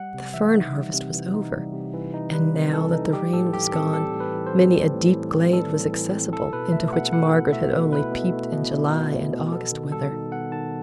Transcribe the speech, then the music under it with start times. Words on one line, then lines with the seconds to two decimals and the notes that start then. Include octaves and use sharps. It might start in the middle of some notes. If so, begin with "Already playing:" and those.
The fern-harvest was over, and now that the rain was gone, many a deep glade was accessible, into which Margaret had only peeped in July and August weather.
Already playing: G3 F#5
0.14 C3
0.34 E3 E5
0.54 D#4
0.74 G3
0.94 C3
1.13 E3
1.34 D#4
1.53 G3
1.73 C3
1.94 E3
2.14 D#4
2.33 G3 B4
2.54 C3
2.73 E3 A4
2.93 D#4
3.13 G3 G4
3.33 A2 A4
3.53 E3 G4
3.73 C4 A4
3.93 G3 A4
4.13 A2
4.20 B4
4.34 E3
4.47 C5
4.54 C4
4.73 G3
4.94 A2
5.13 E3
5.33 C4
5.53 G3 A4
5.72 A2
5.93 E3
6.12 C4
6.32 E4 A4
6.53 B2 B4
6.72 A3 E5
6.92 B2 F#5
7.12 E4 F#5
7.32 B2
7.52 A3 E5
7.73 B2
7.92 E4 B4
8.12 B2
8.32 A3
8.52 B2
8.72 E4
8.93 B2
9.12 A3
9.32 B2
9.52 B3 A4
9.72 D#3
9.92 G3 A4
10.12 D#4
10.32 B3 F#5
10.52 D#3 A5